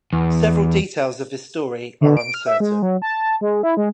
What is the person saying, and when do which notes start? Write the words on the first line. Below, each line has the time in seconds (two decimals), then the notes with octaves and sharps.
Several details of this story are uncertain.
0.13 E2
2.01 D3
2.17 D7
2.34 F6
2.46 E5
2.60 G#3
2.82 F#3
3.02 A5
3.41 G#3
3.63 E4
3.77 G#3